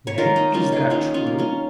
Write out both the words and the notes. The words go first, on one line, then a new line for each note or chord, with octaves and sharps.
"Nay, is that true?"
C#5
D#3 F4 A#4
D#4
A#3 C#4 F4
D#4 G#4
D#3 C#4 F4
C#4 F4
A#3
C#4 F4